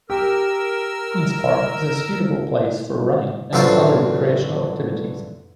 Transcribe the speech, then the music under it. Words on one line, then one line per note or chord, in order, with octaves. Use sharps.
Queens Park is a suitable place for running and other recreational activities.
G4 A#4 E6
A1 D3 F#3 F4 A4 C5